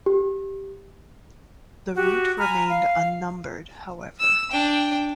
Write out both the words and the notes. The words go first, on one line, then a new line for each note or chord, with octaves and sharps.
The route remained unnumbered however.
G4
F#4 G4
G#5 A#5 B5 F6
F5
E6
D4 G5